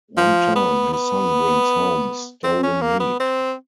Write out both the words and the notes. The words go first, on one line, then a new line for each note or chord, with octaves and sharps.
One time, his son brings home stolen meat.
F3
B3
B3
C4
C#4
A#3
B3
C4